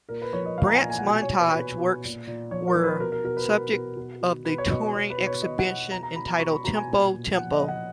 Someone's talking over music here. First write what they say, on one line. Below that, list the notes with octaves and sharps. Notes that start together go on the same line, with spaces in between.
Brandt's montage works were subject of the touring exhibition entitled Tempo, Tempo!
A#2 A#4
B4
F3 C#5
D#5
A#2 F5
A#5
G#5
A#2
G#5
F#5
B2 G#5
C#5
B2
B4
B2
B2
A#2
A#2
F3 C#5
A#4
F3
B4
B2 A#4
A#4
B2 A#4
B4
B2
B2
B2
B2
B2 B4
C#5
B2 D#5
D#5
B2 C#5
B4
B2
C#5
B2 D#5
F#5
B2
B2 A#5
A#5
B2 B5
A#5
B2 C#6
B5
B2 A#5
G#5
A#2
A#2
F3 F#5
D#5
F3
F#5